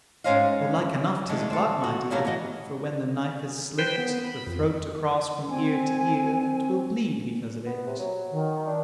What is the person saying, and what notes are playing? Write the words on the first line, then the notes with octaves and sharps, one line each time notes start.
"Oh like enough 'tis blood, my dear, For when the knife has slit The throat across from ear to ear 'Twill bleed because of it."
G#2 E3 C#4 C5 D#5 F5
E2 D#3 G#3 A3
C4 A4
F#4
D#2 C#3 E3 F#3 A4 A#4
E3 B3 F#4 D#5
B4 C5 G5
B3
B5
F2
C4 G#5
B3
C3
F#3
D#3
D4